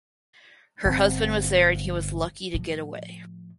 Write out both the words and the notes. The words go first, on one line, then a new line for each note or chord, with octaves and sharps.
Her husband was there and he was lucky to get away.
G1 C4
A2 F3